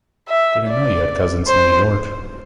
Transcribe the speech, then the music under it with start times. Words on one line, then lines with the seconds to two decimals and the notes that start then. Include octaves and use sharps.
Didn't know you had cousins in New York.
0.28 E5
0.67 D5
1.47 C5